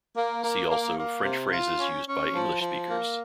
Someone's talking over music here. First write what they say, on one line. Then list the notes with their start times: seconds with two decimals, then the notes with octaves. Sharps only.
See also French phrases used by English speakers.
0.16 A#3
0.43 A#3
0.69 A#3
0.97 A#3
1.24 C3
1.52 F4
1.79 C#4
2.06 C#4
2.34 F3
2.60 F3
2.88 A#3